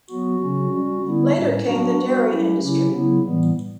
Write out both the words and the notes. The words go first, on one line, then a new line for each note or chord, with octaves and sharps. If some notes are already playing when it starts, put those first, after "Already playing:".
Later came the dairy industry.
F#3 B3 F#4
C#3 F#3 C#4 F#4
G3 C#4 F#4
D3 G3 B3 E4
A2 G3 C#4
F#3 B3 D4 F#4
G3 B3 F#4
F#3 C#4 E4 G4
C#3 F#3 C#4 E4 G4
C#3 F#3 B3 E4
A2 E3 G3 B3